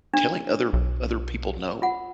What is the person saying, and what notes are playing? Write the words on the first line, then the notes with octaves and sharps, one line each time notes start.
telling other other people no.
D4
B1
F4 F#5